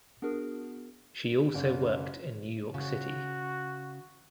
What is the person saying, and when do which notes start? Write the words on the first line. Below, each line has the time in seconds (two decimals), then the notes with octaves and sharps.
She also worked in New York City.
0.22 B3 D4 F#4 G#4 A#4
1.55 F#1
2.74 C#3 F#4